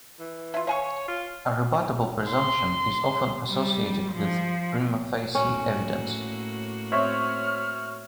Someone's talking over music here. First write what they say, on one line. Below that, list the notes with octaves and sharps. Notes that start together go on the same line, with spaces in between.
A rebuttable presumption is often associated with "prima facie" evidence.
E3
E4 F4
C#5 F5 G#5 C#6
F4
C6
G3
F3
A2 A#3 C#4 F#4
C4 C#5 E5 F6